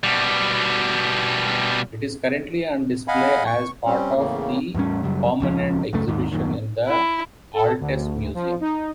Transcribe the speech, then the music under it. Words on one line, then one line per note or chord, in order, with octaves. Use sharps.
It is currently on display as part of the permanent exhibition in the Altes Museum.
B2 G3
D#5 F5 F#5 G#5 B5
C#6
G3 C4 C#4
E2 A2 C#3 A#3
E2 A2 G3 C#4
F#2 C#3 F#3 G3
D#1 C#2 F3 C#4
C#2 F#2 C#3 A3
D#2 G#2 D#3
D#1 F#2 A#2 D#3
E4
A4
D2
F3
D#4